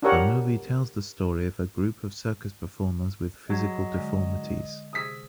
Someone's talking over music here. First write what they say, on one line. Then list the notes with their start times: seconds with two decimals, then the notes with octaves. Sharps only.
The movie tells the story of a group of circus performers with physical deformities.
0.02 D4 F4 G4 A#4 C#5 F#5
3.50 F#3 G#4 D#5 G#6
3.94 D3 G#3
4.93 C3 G#4 D#6 E6 B6